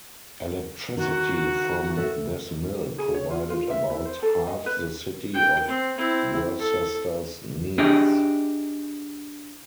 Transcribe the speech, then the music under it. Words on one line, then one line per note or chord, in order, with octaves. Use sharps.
Electricity from this mill provided about half the city of Worcester's needs.
D#3 F#4
A4 E5
G#4
C#5
F4
F4
E5
E4
C5
A4
D#5
B4
G5
C4
C4 E4
A4
D4 D#4 G4 G#4 E5